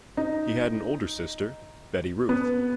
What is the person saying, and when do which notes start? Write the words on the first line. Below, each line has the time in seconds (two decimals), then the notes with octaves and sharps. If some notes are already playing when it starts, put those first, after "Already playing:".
He had an older sister, Betty Ruth.
0.17 D#4
2.29 B3